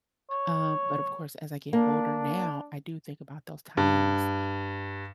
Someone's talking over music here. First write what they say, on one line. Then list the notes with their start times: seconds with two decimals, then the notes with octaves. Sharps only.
Um, but, of course, as I get older now, I do think about those times
0.31 C#5
1.73 A#3 D4
3.77 G2